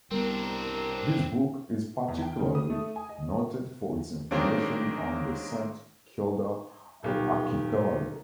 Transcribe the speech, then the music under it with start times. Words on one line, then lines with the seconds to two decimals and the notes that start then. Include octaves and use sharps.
This book is particularly noted for its information on the Saint Kilda archipelago.
0.11 C2 G3 B3 C4 D4 A#4
2.08 E2
2.22 G5
2.39 C#3
2.55 D#6
2.70 A3
2.96 G#5
3.09 D#5
4.31 D#3 F#3 G#3 A#3 C4 D4
7.03 D#1 B1 G4